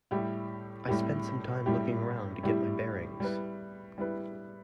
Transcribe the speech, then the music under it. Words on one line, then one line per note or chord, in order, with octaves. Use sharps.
I spent some time looking around to get my bearings.
A2 G3 E4 G4
A2 G3 E4 G4
A2 G3 E4 G4
A2 G3 E4 G4
G3 E4 B4
G3 E4 B4